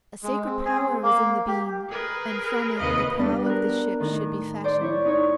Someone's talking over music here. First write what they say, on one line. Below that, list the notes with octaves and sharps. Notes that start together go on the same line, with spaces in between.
A sacred power was in the beam, and from it the prow of the ship should be fashioned.
G#3
C4
G#4
C4
A#3
G4
G#4 A#4 B4
D#2 C3 B4 D#5 F5 B5
G3 B3 D4 B4
A#4 F#6
A2 D#3
C5 D5
E4 C#5
D#4 C#5